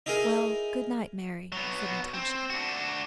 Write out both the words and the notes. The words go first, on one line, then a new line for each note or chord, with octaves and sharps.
"Well, good night, Mary!" said Natasha.
D#4 E4 G#4 A#4 G#5
F#3 B3
C4
D4 F#4